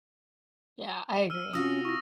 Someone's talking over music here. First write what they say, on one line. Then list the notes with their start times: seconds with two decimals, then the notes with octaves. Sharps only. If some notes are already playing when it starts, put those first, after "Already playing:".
Yeah, I agree.
1.30 E6 F6 D#7
1.53 C3 C#4 F4 F#4 D#6 E6 A#6
1.85 E4 C#6 A#6